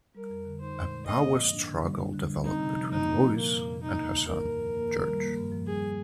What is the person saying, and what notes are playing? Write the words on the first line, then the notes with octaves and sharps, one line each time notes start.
A power struggle developed between Lois and her son George.
G3 A#4
F2
D3
D#4 C5
A#2
G#3
A#3 D#5
G#2
F3
D4
D3
G3
D4
D3
G3
C4 D#4
C3
F3
A#3 D#4
A#2
F3
F3 A#3
F2
C3
A#3 D#4
D#2
D#3
A#3 A#4
G2
F3
A#3
D#3
G3
A#3
G2
F3
G3 G#4